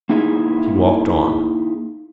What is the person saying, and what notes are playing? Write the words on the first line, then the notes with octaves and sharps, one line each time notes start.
He walked on.
A#3 D#4 E4 G#4